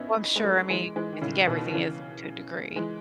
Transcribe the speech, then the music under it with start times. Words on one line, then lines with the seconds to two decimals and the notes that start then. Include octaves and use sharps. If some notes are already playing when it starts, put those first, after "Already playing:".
Well, I'm sure, I mean, I think everything is to a degree.
Already playing: B3 C#4 D#4 E4
0.36 G#3
0.44 F#3 A3
0.70 E3 G#3
0.96 E3 G#3
1.13 D#3
1.21 A2 C#3
1.47 B2 D#3
1.65 D#3
1.73 C#3 E3
2.76 E3 G#3